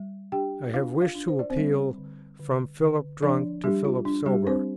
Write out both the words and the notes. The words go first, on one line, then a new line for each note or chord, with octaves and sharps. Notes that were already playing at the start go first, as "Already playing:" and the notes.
I have wished to appeal from Philip drunk to Philip sober.
Already playing: G3
D4 G4 G5
D4 F4 F5
F4 F5
D4
C5
D5
C4 C5
G3
D3
D3
D3
F3 D4 D5
G3 D4 G4
F4
D4
G3 G4
C4 D4 C5